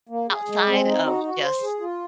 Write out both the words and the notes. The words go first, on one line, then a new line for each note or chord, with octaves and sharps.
outside of just
A#3
G#4
G#3
C4
D#4
F#4
F#4
C5
G#4
F4